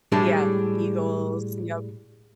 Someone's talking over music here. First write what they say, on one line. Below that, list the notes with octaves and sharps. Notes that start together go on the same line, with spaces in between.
Yeah, Eagles, yup.
A2 G3 G#3 D4